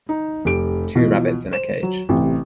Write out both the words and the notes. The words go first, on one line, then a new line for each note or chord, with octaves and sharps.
Two rabbits in a cage.
D#4
F1 G4 D7
B2 E3 F3
C5 E7
F#3
A1 C3